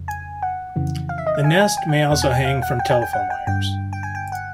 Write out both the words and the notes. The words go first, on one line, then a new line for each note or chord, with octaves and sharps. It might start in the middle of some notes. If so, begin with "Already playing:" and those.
The nest may also hang from telephone wires.
Already playing: F2 C#3
G#5
F#5
F2 C#3 E3
F5
E5
D#5
F5
G#5
G#5
G5
F#5
E2 B2 F#5
G#5
G5
F5
F#5
G5
G#5
G5
F#5
G5
G2 D3 G5
G5
G#5
G5
F#5